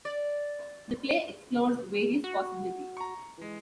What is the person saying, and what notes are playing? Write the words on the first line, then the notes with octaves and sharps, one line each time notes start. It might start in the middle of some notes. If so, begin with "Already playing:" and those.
The play explores various possibilities.
D5
F#4
A#5 C#6
E3 G#3